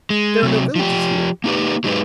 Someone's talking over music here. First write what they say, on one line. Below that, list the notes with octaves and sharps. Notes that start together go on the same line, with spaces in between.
There are no villages here?
G#3
C3 F#3
F3 G4
A#3 D#4 G4 B4
F#3 G#3 D#4 G4 G#4 B4